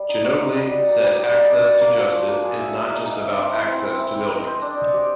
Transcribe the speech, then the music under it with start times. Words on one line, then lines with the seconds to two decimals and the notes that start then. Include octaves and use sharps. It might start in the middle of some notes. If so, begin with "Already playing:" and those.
Djanogly said Access to justice is not just about access to buildings.
Already playing: G3
0.09 D#4
0.24 F#4
0.41 D#4
0.56 G3
0.71 D#4
0.87 A#3
1.03 G3
1.18 G3
1.34 D#4
1.50 D4
1.65 F#4
1.81 A#3
1.97 F#4
2.12 F3
2.27 A#3
2.43 G#4
2.59 E5
2.75 E5
2.90 D#4
3.06 D#4
3.21 E5
3.37 C4
3.53 E4
3.68 C4
3.84 C4
4.00 E4
4.15 C4
4.31 D#5
4.47 C5
4.62 D4
4.78 D#5
4.94 G4